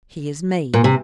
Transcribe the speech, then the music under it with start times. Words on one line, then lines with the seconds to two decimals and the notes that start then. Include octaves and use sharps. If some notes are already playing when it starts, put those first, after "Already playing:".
He is made.
0.74 A#2
0.84 C3